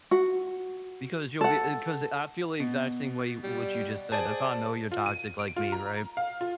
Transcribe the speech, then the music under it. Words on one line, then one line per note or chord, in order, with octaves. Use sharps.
because you'll be uh, 'cause I feel the exact same way what you just said. That's how I know you're toxic like me, right?
F#4
A4 F#5
B2
G3 D5
G#4 C5 D5 A5
F4
D#7
D7
F4
A#5
F5
F4